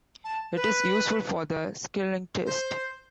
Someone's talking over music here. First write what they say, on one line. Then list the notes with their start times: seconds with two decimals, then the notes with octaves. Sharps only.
It is useful for the Schilling test.
0.24 A5
0.56 B4
2.45 C5